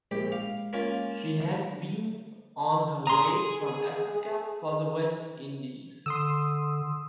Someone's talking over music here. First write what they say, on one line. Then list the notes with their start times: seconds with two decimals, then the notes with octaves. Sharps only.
She had been on her way from Africa for the West Indies.
0.11 A#1 G#3 G4
0.32 F5
0.73 A#3 C#4 F4
3.07 G#4 A#5 C6
6.06 D3 C6 D#6 E6